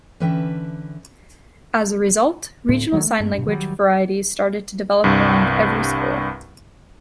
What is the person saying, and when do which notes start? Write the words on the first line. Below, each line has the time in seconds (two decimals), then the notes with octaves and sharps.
As a result, regional sign language varieties started to develop around every school.
0.20 D3 E3 C#4 B4 E5 G5
2.69 D2 A2 C4
2.92 D#3 F3 F#3 A3
3.06 A3
3.20 G2 A3 B3
3.34 G2 B2
3.47 D#3 F#3 G3
5.04 C2 G2